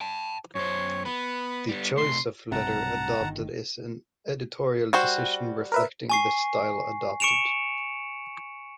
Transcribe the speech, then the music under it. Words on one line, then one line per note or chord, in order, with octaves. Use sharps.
The choice of letter adopted is an editorial decision reflecting the style adopted.
G5 A5
F#2 C5 C#5
B3 B5
G3 B3
C3 A3 C6
B1 G2 C3 F#5 A5 A#5
G1 D#3
G3 F#4 C5
A#4 B4 E5
G#5 C#6 C7
C#6 C#7 D7 E7 F7